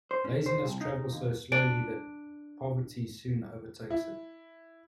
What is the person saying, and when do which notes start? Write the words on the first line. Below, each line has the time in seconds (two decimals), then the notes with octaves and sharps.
Laziness travels so slowly that poverty soon overtakes it.
0.11 C5
0.25 C#4
0.46 C5
0.66 C2
0.81 D#4
1.13 D#2
1.52 D4 D7
3.90 E4